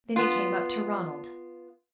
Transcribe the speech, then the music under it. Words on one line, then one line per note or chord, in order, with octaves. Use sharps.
Then he came up to Ronald.
B3 F4